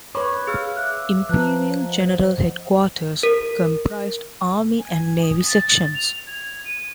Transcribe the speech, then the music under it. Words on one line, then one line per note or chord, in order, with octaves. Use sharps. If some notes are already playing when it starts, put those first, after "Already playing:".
Imperial General Headquarters comprised Army and Navy Sections.
B4 C#5 B5 C#6 D6
G#4 F5 E6 F6
E5 D6 E6 F#6
F3 B4 A5 A#5 F#6
C5 D#5 F#5
A#4
G#5
D#6
A6
F7
G#6
D#7